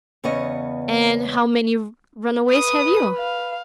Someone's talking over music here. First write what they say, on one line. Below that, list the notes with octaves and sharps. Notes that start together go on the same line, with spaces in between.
"And how many runaways have you?"
E2 C#3 B3 C#5 D#5
B4 D#6
F5